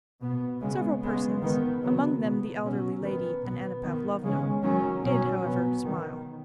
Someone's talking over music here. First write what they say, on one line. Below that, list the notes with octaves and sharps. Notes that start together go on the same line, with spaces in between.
Several persons, among them the elderly lady and Anna Pavlovna, did however smile.
B2 B3
C#3 G#3 B3
C#3 G#3 B3
D#3 B3
C#3 F#3 B3
B2 B3
B2 F#3 C#4
D#3 B3
B2 B3
D#3 B3
C#3 G#3 C#4
D#3 F#3 C#4
B2 F#3 C#4
B2 F#3 B3
D#3 B3